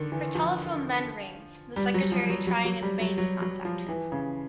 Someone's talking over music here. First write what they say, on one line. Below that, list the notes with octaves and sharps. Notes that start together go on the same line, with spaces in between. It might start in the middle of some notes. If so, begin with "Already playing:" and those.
Her telephone then rings, the secretary trying in vain to contact her.
Already playing: D3 D#3
E3
F3
G3
F#3
F3
F#3
F#3
F#3
G3
F#3
F#3
F#3
F3
E3
C#3